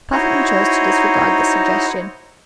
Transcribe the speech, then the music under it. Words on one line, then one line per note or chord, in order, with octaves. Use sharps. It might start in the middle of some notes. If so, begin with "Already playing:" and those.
Puffin chose to disregard this suggestion.
D#4 E4 F#4 C5 C#5 D#5